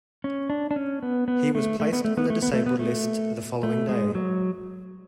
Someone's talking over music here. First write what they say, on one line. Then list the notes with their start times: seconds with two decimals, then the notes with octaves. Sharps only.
He was placed on the disabled list the following day.
0.24 C#4
0.50 D4
0.71 D4
0.76 C#4
1.03 B3
1.28 B3
1.55 A3
1.80 A3
1.93 B3
2.05 A3
2.17 B3
2.30 A3
2.42 B3
2.54 A3
2.66 B3
2.79 A3
3.63 A3
3.89 G#3
4.15 F#3